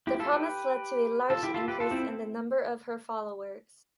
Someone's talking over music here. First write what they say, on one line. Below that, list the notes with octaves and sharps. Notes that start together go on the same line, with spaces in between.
The promise led to a large increase in the number of her followers.
E4 G4
F4 A4
G4 B4
F4 A4
E4 G4
F4 A4
G4 B4
F4 A4
C4 E4